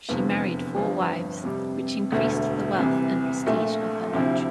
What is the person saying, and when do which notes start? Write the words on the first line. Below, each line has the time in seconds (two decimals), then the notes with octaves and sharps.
She married four wives, which increased the wealth and prestige of her lodge.
0.09 F1 E2 D3 F3
0.76 G1 G2 F3
1.43 F2 C3 G3
2.12 E1 D2 D3 A3
2.78 C2 C3 E3
3.46 A#1 A#2 A3
4.13 D2 C3 F3 C4 E4